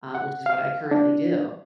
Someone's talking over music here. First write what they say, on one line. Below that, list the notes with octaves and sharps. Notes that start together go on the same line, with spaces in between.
uh, which is what I currently do.
F#5
F5
D4